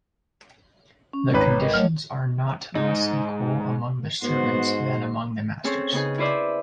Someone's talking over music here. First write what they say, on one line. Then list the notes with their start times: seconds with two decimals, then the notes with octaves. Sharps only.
The conditions are not less equal among the servants than among the masters.
1.13 C#4
1.34 G#1 B4 C#5 A#5
1.61 A#4 D#5
1.73 F#3 A3 C#5 F6
2.75 G#2 D#4
4.23 G#2 B3 F#4 C5
5.64 C4 C#4 G#4 A4 C5 C#5
5.92 C#3 B3 D#4 G#4
6.18 E4 B4 C5 D5 E5